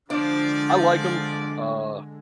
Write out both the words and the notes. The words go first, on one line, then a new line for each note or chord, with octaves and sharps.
I like 'em. Uh,
D3 F3 G#3 D4 D5